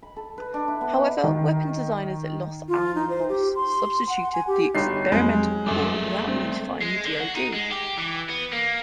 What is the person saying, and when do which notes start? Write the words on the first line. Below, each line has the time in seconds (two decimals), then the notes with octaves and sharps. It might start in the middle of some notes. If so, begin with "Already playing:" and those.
However, weapon designers at Los Alamos substituted the experimental core without notifying the DoD.
0.02 B5
0.16 A4
0.38 B4
0.54 D4
0.68 E4
0.81 B3
0.97 D#4
1.23 D#3
2.68 F4
2.95 D#4
3.09 C5
3.29 G4
3.55 C6
4.09 F#5
4.33 G#5
4.47 G4
4.75 G1 D#4 F#4 G4 C#5 C7
5.12 F2 F#3 G#3 C4
5.66 F#2 G3 A3 G#4 A4 D6
6.27 C4
6.82 G#3
7.05 D3
7.20 F#4
7.35 D#4
7.54 G#3
7.71 G4
7.97 E3
8.30 B3
8.53 A#3